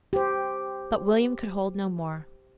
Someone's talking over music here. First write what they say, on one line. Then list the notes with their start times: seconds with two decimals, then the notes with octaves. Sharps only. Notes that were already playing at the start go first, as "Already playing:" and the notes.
But William could hold no more.
0.13 G4 C5